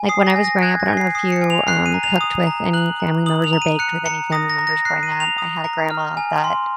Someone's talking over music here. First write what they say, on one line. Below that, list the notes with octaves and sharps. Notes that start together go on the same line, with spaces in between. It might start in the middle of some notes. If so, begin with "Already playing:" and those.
like, when I was growing up I don't know if you, um, cooked with any family members, or baked with any family members growing up, I had a grandma that
Already playing: G#5
D#6 C7
A#6
G#5
A#6
F#6 G#6
A#6
G#5
C7
D#6 C7
C#7
G#5
F7
F#6 C7
D#7
A#5
F7
D#6
A#5
F#6 F#7
A#5
D#6 F#7
F7
A#5
D#7
F#6 C#7
A#5 C#7
D#6 A#6
A#6
A#5
A#6
F#6 C7
D#7
A#5
F7
D#6
A#5
F6
G#5
C6